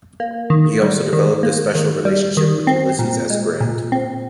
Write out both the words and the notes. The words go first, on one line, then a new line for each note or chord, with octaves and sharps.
He also developed a special relationship with Ulysses S. Grant.
A#3
D#3
G3
D#3
A#3
D#3
G3
D#3
C4
A#2
G#3
A#2
C4